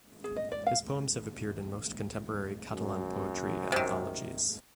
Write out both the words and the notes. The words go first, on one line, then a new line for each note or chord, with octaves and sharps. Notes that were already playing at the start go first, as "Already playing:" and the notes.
His poems have appeared in most contemporary Catalan poetry anthologies.
G#4
D#5
D5
F5
F#2
C3 D#3